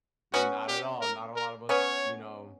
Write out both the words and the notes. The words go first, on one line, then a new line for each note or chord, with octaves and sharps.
Not at all. Not a lot of us, you know,
B3 C#4 F#4
G4
A#4
A#4
B3 C#4 C#5